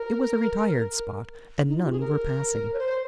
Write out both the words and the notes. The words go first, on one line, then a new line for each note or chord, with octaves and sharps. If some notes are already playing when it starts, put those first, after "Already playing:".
It was a retired spot, and none were passing.
Already playing: A#4
D#4
F4
G4
G#4
A#4
C#5
C5